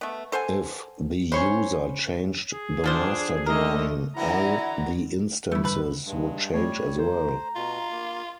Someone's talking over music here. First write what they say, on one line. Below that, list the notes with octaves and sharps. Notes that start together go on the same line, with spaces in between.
If the user changed the master drawing, all the instances would change as well.
A3 B3
A4 C5 F#5 G#5
C#4 C5 C#5 B5
G#4
D3 F3 D4 C5
D3 A3 A#4 D#5
D3 E3 F#3 E4 A#5
D2 G2 A3 E4
A3 B4
G2 G#3
G3 A3 C#5
A4 C5 A#5
B2 F4
A#3